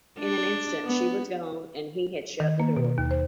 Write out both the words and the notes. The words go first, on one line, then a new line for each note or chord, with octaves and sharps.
In an instant she was gone, and he had shut the door.
D4
B3
D#3
A#3
B2
D#2
C5